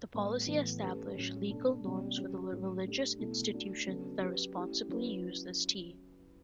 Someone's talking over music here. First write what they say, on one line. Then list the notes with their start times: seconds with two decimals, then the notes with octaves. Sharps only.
The policy established legal norms for the religious institutions that responsibly use this tea.
0.14 A2 G3 B3
0.47 A2 E3 B3
0.81 A3 C#4 G4 B4
1.15 A2 F#3 C#4
1.49 B2 A3 D4 A4
1.84 B2 G3 C#4
2.17 F#3 C#4 G4
2.52 A2 G3 C#4
2.85 A3 D4 G4
3.19 B2 A3 E4
3.53 A3 D4 F#4
3.88 C#3 F#3 B3 D4 A4
4.21 F#3 C#4 G4 B4
4.55 A3 C#4 E4 G4
4.89 F#3 C#4 E4 B4